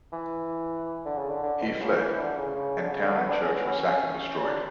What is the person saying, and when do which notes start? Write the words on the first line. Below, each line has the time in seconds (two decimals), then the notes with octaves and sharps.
He fled, and town and church were sacked and destroyed.
0.12 E3
1.05 D3
1.18 C#3
1.31 D3
1.43 D3
1.62 B2
1.80 C#3
1.99 E3
2.18 D3
2.37 C#3
2.55 C#3
2.81 D3
2.92 C#3
3.05 D3
3.18 B3
3.30 D4
3.43 C#4
3.56 B3
3.68 C#4
3.87 C#4
4.43 D4